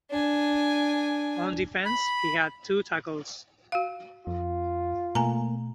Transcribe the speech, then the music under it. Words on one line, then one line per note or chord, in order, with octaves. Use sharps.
On defense he had two tackles.
D4 G#5
B5
F#4 F5
F2 F4
B2 A3 A#3 G#5 A#5